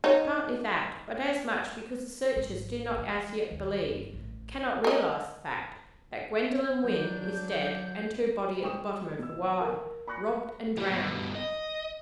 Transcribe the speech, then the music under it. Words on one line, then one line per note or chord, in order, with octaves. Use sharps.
Partly that, but as much because the searchers do not as yet believe--cannot realise the fact-- that Gwendoline Wynn is dead, and her body at the bottom of the Wye! Robbed and drowned!
D#4 C#5
G#1
E3
D#2
G1
A1
A#4 D#5
F#3 D4 G6
G3 G#3 G5 C#6 D#6 E7
B2 E6
A#4
B5 C#6 F#6 A#6 C#7
E3 G3
G2 B2
D#5